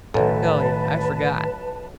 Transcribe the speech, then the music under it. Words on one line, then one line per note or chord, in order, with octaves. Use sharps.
Golly, I forgot.
B1 F#2 A2 D#3 A4 B4 A5